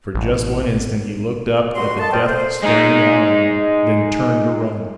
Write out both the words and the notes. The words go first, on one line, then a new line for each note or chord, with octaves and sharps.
For just one instant he looked up at the death staring down on him, then turned to run.
A1
C#2 G2 G#3 F#4 C6
A#3 A4 D#5 A5
A#4 C5 D5 D#5 F5 G5
A3 C5
G#3 D#4